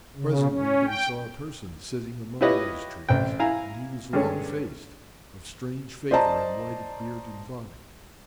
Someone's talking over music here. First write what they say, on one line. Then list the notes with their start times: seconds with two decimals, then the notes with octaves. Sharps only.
Presently, they saw a person sitting among those trees and he was long-faced, of strange favour and white of beard and body.
0.16 C#3
0.48 C#4
0.86 G5
2.41 E4 F4 G4 B4 C#5 D#5
3.09 A1 C4 G5
3.39 E4 F5 G#5 A#5
4.13 G2 D3 G#3 C#4
6.11 C5 D5 D#5 A5 A#5